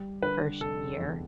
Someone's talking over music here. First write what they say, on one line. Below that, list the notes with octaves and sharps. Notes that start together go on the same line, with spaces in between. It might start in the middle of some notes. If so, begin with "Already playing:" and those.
first year,
Already playing: G3
D3 B4
F1 A4
E2